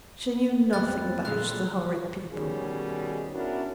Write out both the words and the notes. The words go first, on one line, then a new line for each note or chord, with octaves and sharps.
She knew nothing about the horrid people.
F2 B5 F#6 A6
A#2 D3 G#3 F#6
B2 D#3 G3 C#4 G#4
B3 C#4 D4 E4 F#4 A#4